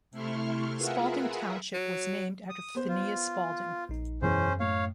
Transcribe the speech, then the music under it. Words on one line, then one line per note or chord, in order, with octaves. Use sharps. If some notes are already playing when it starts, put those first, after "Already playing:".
Spaulding Township was named after Phineas Spalding.
C3 A3 E4 C6 C#6 F6
F4 G#4 A#4 B4 E5 F#5
F#3
D#6
B3 C5
F4
A#1 D#4
E1 F#2 E3 C#4 C5
A2 C#5 F5